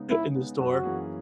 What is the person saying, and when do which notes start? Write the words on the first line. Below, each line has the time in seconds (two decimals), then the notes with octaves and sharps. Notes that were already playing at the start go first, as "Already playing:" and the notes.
in the store,
Already playing: C#3 G#3 B3 D#4
0.10 C#3 E4
0.35 G#3 B3 D#4
0.59 F#2 F#4
0.83 E3 A#3 C#4 G#4